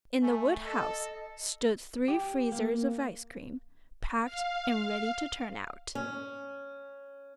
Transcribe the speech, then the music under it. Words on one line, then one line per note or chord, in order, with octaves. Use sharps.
In the woodhouse stood three freezers of ice-cream, "packed" and ready to turn out.
A3 G#5
A4 D#5
G4
A#3
F5
C#4